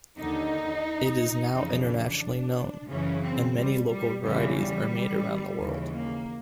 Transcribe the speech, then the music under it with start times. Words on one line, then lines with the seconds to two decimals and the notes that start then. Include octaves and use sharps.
It is now internationally known, and many local varieties are made around the world.
0.17 D#2 D3 D#4
1.53 F2 C#3 E3 D#4
1.86 D4
2.88 F#2 C#3 E3 C#4
3.22 C4
3.56 G3
3.90 G3
4.23 E2 C#3 E3 G3
4.57 G3
5.58 D#2 C#3 E3
5.92 A#3